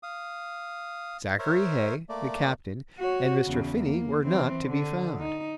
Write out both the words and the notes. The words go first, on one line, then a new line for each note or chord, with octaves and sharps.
Zachary Heigh, the Captain, and Mr. Finney were not to be found.
F5 D#6
A#4 C5 C#5 E5
A3 A#3 D5
F#4 C#5
E2 C#3
A#3
E3 C4
D3
D#4